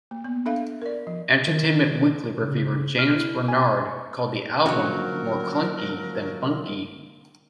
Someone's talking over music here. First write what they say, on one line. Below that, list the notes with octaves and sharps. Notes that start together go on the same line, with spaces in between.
"Entertainment Weekly" reviewer James Bernard called the album "more clunky than funky".
A#3
B3
D4 A4 E5 F5
A#4 D5
F3
D#3
C#3
F6
E4
G#5
C#6
D3 F3 F#3 A#3 C#4 F#4 A#4 C#5